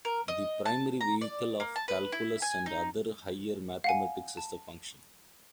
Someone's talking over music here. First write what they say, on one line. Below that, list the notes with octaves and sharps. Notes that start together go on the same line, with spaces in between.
The primary vehicle of calculus and other higher mathematics is the function.
A#4
D#5
A5
A#5
D5
A#3
A5
B4
E4
G#5
D#4
F5 F#5 G#5
A5